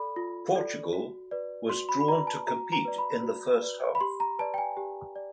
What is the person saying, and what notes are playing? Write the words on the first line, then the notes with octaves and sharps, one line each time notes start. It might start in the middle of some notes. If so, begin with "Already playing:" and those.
Portugal was drawn to compete in the first half.
Already playing: A4 D5 B5
F4
A4 D5
F#4
B4 D5
F#4 C6
B5
B5
B4 D5 A#5
A5
F#4 A#5
A#5
B4 D5
B5
F#4
B4 D5
B5
G4 C6
A#5
B4 D5 A5
G5
G#5
G4
D5